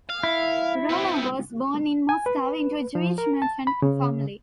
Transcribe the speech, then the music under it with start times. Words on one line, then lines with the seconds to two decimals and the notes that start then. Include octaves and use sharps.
Rumer was born in Moscow into a Jewish merchant family.
0.09 F5
0.23 E4
0.89 B3 C4
2.09 G#5
2.26 B4
2.95 F3
3.18 A#4
3.42 A5
3.67 B5
3.82 C#3